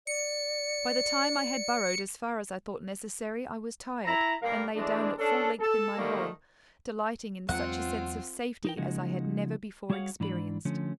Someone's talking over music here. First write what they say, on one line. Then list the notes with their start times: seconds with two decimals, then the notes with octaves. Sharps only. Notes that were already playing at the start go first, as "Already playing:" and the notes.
By the time I had burrowed as far as I thought necessary, I was tired, and lay down at full length in my hole, delighting in such a sense of safety as I had never before experienced.
0.07 D5 C#7
4.05 E4 A#5
4.42 G2 A#3 A#4 F5
4.76 E3 G#3 A3 D4
5.18 C#4 D4 A4
5.60 A4
5.98 D3 D#3 G3 A3 A#3
7.49 E2 F#3 G#3 C4 F4 F#5
8.65 D#4 A#4 G5
8.77 C#3 F3 G#3 A#3 D#4 F#4
9.90 G3 F#4 G#4 C#5 F5 F#5
10.20 G#2 E3 D4 B5
10.65 D3 F3 A3 C#4